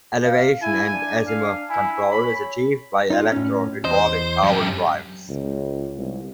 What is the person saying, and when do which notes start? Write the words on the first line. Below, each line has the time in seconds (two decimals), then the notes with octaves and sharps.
Elevation and azimuth control is achieved by electro-hydraulic power drives.
0.24 F5
0.62 E4 G#5
0.94 D4
1.27 F5
1.70 E4 G#5
2.11 C#5 B5
3.10 D#4 F4
3.32 A2 C#4
3.85 E2 C5 D#5
4.43 F#2 G4
5.29 C#2
5.98 C2